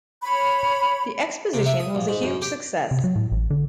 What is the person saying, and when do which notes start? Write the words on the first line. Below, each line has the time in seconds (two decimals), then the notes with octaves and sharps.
The exposition was a huge success.
0.23 C#5 B5
1.53 C3
1.66 E5
1.79 D#6
1.95 A#1
2.08 G#2
2.23 F#2
2.42 G4
2.91 C3
3.04 F#3
3.16 A2
3.32 A1
3.50 D3